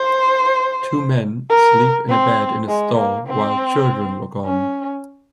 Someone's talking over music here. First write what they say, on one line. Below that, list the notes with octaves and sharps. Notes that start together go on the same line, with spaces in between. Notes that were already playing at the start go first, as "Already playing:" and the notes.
Two men sleep in a bed in a store while children look on.
Already playing: C5
A#4
C4
G#3
A#3
C4
C#4